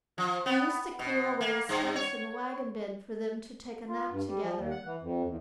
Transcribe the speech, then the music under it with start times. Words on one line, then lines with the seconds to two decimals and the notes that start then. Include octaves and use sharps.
We used to clear away a space in the wagon bed for them to take a nap together.
0.18 F3
0.46 B3
0.99 B2
1.41 A#3
1.69 G2
1.96 C#5
3.89 F4
4.11 G2
4.27 G3
4.43 F3
4.57 D#2
4.70 F#5
4.85 E3
5.02 F2
5.27 E2